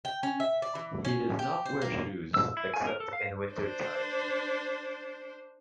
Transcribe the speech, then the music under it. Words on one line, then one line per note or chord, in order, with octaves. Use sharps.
He does not wear shoes, except in winter time.
G5
C#4
E5
D5
E3
C#4
G4
C5
A#3
E6
E4
G#5
A#4
A4
F5
D4 C5